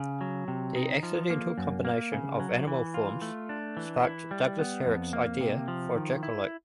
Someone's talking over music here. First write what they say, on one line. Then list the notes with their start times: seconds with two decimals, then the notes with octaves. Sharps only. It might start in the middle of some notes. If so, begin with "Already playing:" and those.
The accidental combination of animal forms sparked Douglas Herrick's idea for a jackalope.
Already playing: C#3
0.21 F#3
0.48 C3
0.76 D#4
1.03 F3
1.30 A#3
1.58 F#2
1.85 A#3
2.12 C#3
2.40 F#3
2.67 E3
2.94 F4
3.22 A3
3.49 D4
3.77 E3
4.04 E4
4.31 G3
4.59 B3
4.86 F2
5.13 A#3
5.41 C3
5.68 F3
5.95 D#3
6.23 E4